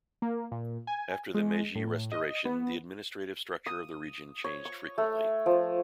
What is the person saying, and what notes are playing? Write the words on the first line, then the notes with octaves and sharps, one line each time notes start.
After the Meiji Restoration the administrative structure of the region changed frequently.
A#3
A#2
G#5
G#3
A2
D#5
B3
D#6
C#5
C#6
A3
F3